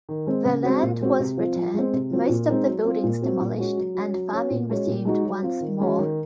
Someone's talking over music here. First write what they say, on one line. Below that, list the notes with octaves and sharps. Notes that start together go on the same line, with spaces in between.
The land was returned, most of the buildings demolished and farming resumed once more.
D#3
G#3 C4
C#3
G#3 C4 F#4
A#2
G#3 C4 F#4
C3
F3 C4 F4
F3
G#3 C4
C3
F3 C4 F#4
A#2
G#3 C4 D#4
F#3
C4 F4
A#2
F#3 C4 F#4
A#2
G#3 C#4 F#4
F#3
C#4 F#4
F#3
C#4 F#4
A#2
G#3 C#4 F#4
A#2
G#3 D#4 F#4
F#3
C4 F4
D#3
G#3 C#4 F#4
D#3